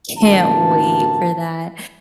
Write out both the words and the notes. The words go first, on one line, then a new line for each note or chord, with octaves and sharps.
can't wait for that.
A1 D2 A#3 A5